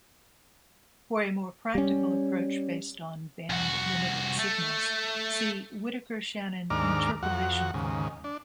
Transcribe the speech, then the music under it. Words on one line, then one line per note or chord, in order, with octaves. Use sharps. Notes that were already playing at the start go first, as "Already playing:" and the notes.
For a more practical approach based on band-limited signals, see Whittaker-Shannon interpolation formula.
G3 C#4
C2 F#4
A3
D#2 G#2 D4 A#5 D6 F6
F2 F#4 F#5
D#2 G#2 C#3
D4